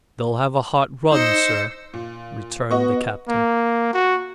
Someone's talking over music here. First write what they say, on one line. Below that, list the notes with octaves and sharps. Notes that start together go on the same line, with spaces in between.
"They'll have a hot run, sir," returned the captain.
D#4 C5 D#5 E6 C#7
A#2
B3 F#4 D#5 C#6
A#3
F#4